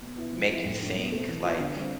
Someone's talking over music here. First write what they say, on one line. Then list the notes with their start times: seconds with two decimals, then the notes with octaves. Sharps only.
make you think, like,
0.01 B2
0.17 B3 E4
0.33 F3
0.48 A3 C4 E4
0.65 A2
0.80 G3 D4
0.96 B2
1.12 A3 C4
1.28 E3
1.44 B3 F4
1.59 D3
1.76 G3 C4